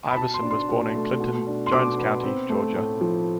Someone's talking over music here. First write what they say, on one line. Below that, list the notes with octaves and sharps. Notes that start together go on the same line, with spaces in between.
Iverson was born in Clinton, Jones County, Georgia.
B5
B2 A5
C6
D4
C6
B2
A3
B2
D4
C6
B2 D6
B3
C4
A3
A2
F3